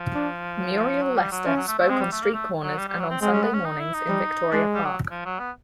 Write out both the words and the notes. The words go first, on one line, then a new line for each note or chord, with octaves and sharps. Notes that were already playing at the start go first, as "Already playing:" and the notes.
Muriel Lester spoke on street corners and on Sunday mornings in Victoria Park.
Already playing: F3
D4
F#3
G3
F#3
F3 C#4
F#3
A3
A3
G#3 C4
G3
A3
A#3
A3
F#3
G3
G3
F#3
C4
G#3 C4
C#4
B3
C#4
D#4
E4
D#4
G3
G#3 D4
G3
F#3
F3
F#3
B3